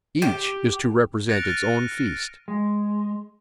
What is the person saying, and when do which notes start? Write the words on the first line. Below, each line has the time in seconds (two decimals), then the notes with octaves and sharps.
Each is to represent its own feast.
0.22 G4
1.29 F#6 A6 A#6 C#7 D7 F7
1.43 F6 A6 D#7
2.48 G#3